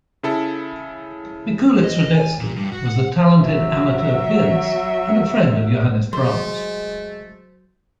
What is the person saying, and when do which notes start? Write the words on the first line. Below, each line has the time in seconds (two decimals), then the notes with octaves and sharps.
Mikulicz-Radecki was a talented amateur pianist and a friend of Johannes Brahms.
0.23 C#3 E4 A4
1.84 D#5
2.15 G#5
2.39 A#2
2.56 G2
2.72 F#4
2.88 F#5
3.37 F#3 E5
6.13 F#3 G#3 A3 C5